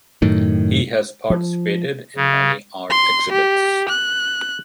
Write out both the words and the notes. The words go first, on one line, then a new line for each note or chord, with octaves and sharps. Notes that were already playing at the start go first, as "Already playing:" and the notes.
He has participated in many art exhibits.
F#2 A2 D#3
F3
C#3
C6
G4
F#6